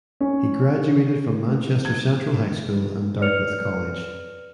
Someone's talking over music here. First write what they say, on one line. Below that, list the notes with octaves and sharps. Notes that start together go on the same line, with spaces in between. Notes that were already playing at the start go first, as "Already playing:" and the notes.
He graduated from Manchester Central High School and Dartmouth College.
C#4
G#6
B4 C#5 D5 F6 C#7 F7